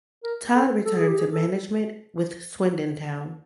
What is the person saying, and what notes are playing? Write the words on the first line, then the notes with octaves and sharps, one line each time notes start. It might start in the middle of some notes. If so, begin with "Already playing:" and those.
Todd returned to management with Swindon Town.
A#4
A4
A4
G#4
G4
G#4
A4